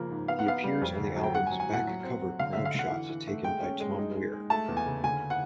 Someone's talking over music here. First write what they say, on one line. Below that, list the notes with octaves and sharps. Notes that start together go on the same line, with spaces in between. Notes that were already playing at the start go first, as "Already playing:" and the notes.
He appears on the album's back cover crowd shot taken by Tom Weir.
Already playing: C#3 F3 A#3
G#2
B3 F5
F#5
B3 F5
G3
F2
D3
F#3
G5
F#3 F#5
G#5
F#3
G#5
A2 F#5
F#3
C4
F#3
D3 F5
D3 E5
F5
D3 F#5
E3
E3
A3
G#3 G5
C#4
G#3
D#4
G#3
G#3
A3 A5
E2
G#5
C#3
D3 G#5
F#5